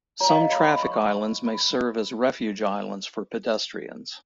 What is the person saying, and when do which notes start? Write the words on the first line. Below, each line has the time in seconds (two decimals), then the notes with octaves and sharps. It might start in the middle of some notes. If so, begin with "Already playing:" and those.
Some traffic islands may serve as refuge islands for pedestrians.
0.20 F#4 C#5 A#5
0.29 F5
0.36 D#5
0.52 B5
0.67 B5
0.83 C#6
1.46 B5